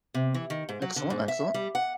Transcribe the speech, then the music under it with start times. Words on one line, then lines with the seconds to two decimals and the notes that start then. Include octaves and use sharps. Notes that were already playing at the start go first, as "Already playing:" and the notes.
Excellent, excellent.
0.14 C3
0.34 E3
0.50 D#3
0.69 G#2
0.82 F#3
0.96 D3
1.10 G#2
1.28 E5
1.54 G3
1.75 F#5